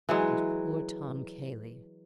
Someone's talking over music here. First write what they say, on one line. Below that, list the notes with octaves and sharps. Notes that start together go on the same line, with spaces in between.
And poor Tom Cayley!
E3 F#3 G#3